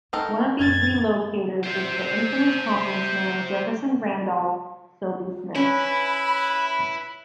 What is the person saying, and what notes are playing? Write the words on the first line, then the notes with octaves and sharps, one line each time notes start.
One of these relocators was the infamous confidence man Jefferson Randolph "Soapy" Smith.
D#3 C4 A4 A#4
F#2 A#2 G#6 A6
C5 E5
C#4 E4 B4 B5